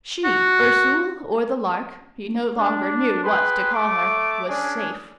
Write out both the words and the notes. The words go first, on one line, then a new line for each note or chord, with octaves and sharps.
She, Ursule or the Lark, he no longer knew what to call her, was safe.
F#4
D4
G#4 B4 G5 C6
A3 D6
C#4 D4 G#4 D5